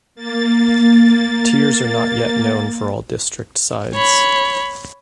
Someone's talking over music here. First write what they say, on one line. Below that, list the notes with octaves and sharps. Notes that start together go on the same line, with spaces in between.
Tiers are not yet known for all district sides.
A#3 A6
C#5 B5